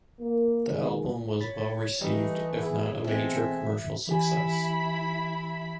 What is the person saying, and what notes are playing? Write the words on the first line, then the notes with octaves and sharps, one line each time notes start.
The album was well-received, if not a major commercial success.
A#3
D#3 G#3
C#5 B5 A6
E3 G3 A3 D#4 D#5
B3 E4 G#4
B2 E3 G#3 C4 A4 E5
E3 E4 G4 G#5 B5